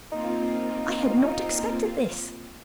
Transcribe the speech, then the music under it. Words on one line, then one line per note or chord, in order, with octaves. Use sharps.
'I had not expected this.
A#3 C4 D#4 F4